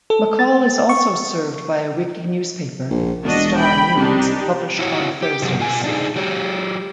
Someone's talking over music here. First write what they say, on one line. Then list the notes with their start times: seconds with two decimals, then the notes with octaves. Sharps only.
McCall is also served by a weekly newspaper "The Star News", published on Thursdays.
0.10 A4
0.39 A6
0.89 C#6
2.90 A#1
3.24 E1 D4 F#4 D#5
3.58 G5 B5
3.97 C2 D4 D#4 G4
4.79 E4 F#4 C#5
5.22 G4
5.42 C3 F#3 G#4
5.59 B2 F4 G#5
5.84 D4 D#4 G#4
6.16 F#3 G4 C#5